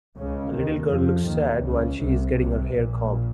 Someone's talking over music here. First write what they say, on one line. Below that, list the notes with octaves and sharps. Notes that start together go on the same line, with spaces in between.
A little girl looks sad while she is getting her hair combed.
C#2 C#3
D#2 D#3
F2 F3
D#2 D#3
C#2 C#3
C2 C3
C2 C3
A#1 A#2